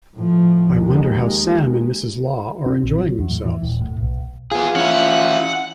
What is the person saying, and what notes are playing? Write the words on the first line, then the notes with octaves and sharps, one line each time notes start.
I wonder how Sam and Mrs. Law are enjoying themselves.
A2 F3
D#2 G#3
C4
A#1
F#3
E2
A2
E3
D#1
A2
B1
B3 F4 G#4
E3 C#4 E4 F#5